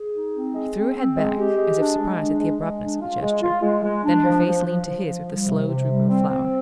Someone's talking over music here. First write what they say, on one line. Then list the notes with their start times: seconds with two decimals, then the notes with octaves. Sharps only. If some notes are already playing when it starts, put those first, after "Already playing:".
She threw her head back, as if surprised at the abruptness of the gesture; then her face leaned to his with the slow droop of a flower.
Already playing: G#4
0.14 D#4
0.35 C4
0.55 G#3
0.76 C4
0.96 C4
1.17 G#3
1.38 G4
1.57 G#3
1.78 D4
1.99 G#3
2.19 D4
2.40 G#3
2.61 G#3
2.81 D4
3.01 F4
3.22 G#3
3.42 F4
3.62 G#3
3.84 G#3
4.04 D4
4.24 F3
4.45 F3
4.66 F3
4.86 F3
5.07 F3
5.27 G3
5.47 C3
5.68 C3
5.88 G3
6.09 C4
6.30 C4